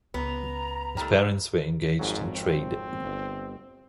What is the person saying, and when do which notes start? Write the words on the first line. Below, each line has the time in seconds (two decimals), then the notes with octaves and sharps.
His parents were engaged in trade.
0.14 C#2 B3 A#5
0.97 D#3 G3 A3
1.99 G#1 F2 G#2 F#3
2.35 C4
3.05 G1